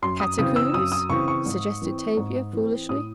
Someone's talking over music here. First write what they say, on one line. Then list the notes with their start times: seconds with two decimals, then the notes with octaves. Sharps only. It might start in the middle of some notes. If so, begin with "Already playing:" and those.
"Catacombs?" suggested Tavia, foolishly.
0.02 F#2 C6
0.20 D#6
0.39 C#3 E3 C4 D#6
0.56 E6
0.74 F#2 D#6
0.92 D#6
1.10 C#3 E3 C4 C#6
1.28 C#6
1.46 G#2
1.82 E3 C4
2.17 G#2
2.53 E3 C4
2.89 A2 D#6